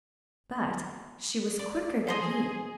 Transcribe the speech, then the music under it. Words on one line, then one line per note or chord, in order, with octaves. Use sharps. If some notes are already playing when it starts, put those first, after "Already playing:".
But she was quicker than he.
D5
G#4 A4 C5 D#5